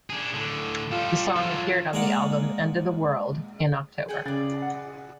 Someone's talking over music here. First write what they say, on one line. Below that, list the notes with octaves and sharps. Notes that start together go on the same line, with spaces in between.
The song appeared on the album "End of the World" in October.
D4 G#4
A2 D3
G3 F4 A4
F#3 F4 A4
G#3 A#3 D5 D#5 F5 F#5
G#4 F#5 G5
C#3 G#4 D5 A6
F#5